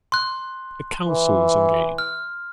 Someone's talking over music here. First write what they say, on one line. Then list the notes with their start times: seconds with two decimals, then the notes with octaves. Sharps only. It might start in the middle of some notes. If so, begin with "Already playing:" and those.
A counsel is engaged.
0.12 C6 F#6
1.08 E3
1.98 F6